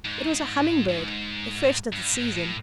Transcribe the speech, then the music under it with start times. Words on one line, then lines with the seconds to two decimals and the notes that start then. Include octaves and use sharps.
It was a humming-bird,--the first of the season.
0.05 G#2
0.88 G#2
1.92 G2
2.13 G#2
2.34 A2